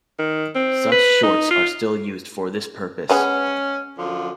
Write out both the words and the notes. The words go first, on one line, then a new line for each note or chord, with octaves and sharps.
Such shorts are still used for this purpose.
D#3
C4
B4
D#4
F4
G#3 B3 C#4 G#4
F#2 D3 F3